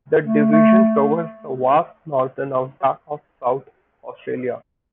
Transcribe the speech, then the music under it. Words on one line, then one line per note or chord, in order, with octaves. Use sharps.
The division covers the vast northern outback of South Australia.
A3
A3